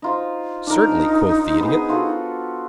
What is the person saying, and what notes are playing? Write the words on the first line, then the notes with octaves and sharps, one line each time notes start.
"Certainly," quoth the Idiot.
D#4 F4 C5
D4 D#4 A#4
B3 G#4
F4 F#4 A4